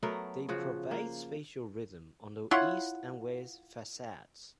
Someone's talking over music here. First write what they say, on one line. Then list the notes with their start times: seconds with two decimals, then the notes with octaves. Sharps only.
They provide spatial rhythm on the east and west facades.
0.03 F#3 A3 B3 A#4
0.49 C#3 F3 F#4
0.91 A#3
2.51 E4 F4 C#5 F#5